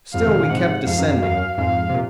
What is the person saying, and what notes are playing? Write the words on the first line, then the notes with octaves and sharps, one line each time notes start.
Still we kept descending.
F2 G#2 F5
C3 D#3
A#2 C#3
G#2 C3 F#5
F2 G#2 F5
F#2
F#2
F#2 F5
F2 G#2 F5
C3
A#2